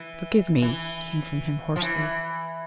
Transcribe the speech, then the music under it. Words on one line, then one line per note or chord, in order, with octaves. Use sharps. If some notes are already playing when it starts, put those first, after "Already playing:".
"Forgive me," came from him hoarsely.
Already playing: E3
E3
F3
E3